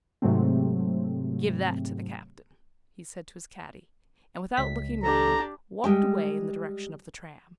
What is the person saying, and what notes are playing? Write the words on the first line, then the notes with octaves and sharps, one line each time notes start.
"Give that to the Captain," he said to his caddie, and without looking round, walked away in the direction of the tram.
G#2 C3 F#3 A3 C4
C#2 B6
D4 G4 A4 A#5
G3 G#3 G5